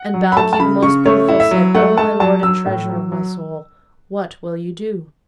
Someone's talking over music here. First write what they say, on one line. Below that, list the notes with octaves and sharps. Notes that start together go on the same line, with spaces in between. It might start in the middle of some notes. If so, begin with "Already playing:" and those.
And Balkis the Most Beautiful said, 'O my Lord and Treasure of my Soul, what will you do?'
Already playing: F#5
F#3
B5
A3 A5
A5
C#3 B5
C#3 C#6
A3 C#5
E4
E5
F#3
A3 F#5
A3 A5
F#3 A5
F#3 E6
A2
F#3
F#3